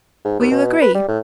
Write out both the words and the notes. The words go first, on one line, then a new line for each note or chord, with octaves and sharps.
Will you agree?
G#2
D#2
B2
B4
G3
A2